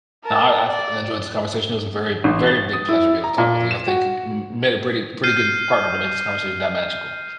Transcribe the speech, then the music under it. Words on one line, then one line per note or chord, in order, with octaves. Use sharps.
Nah, I I enjoyed this conversation. It was a very, very big pleasure to be able to talk with you. I think m made a pretty pretty good partner to make this conversation that magical.
A#4 A5
D5
A1
A6
D#6
E4
A#5
A#2
E7
F#4
F6 G6 C7 D#7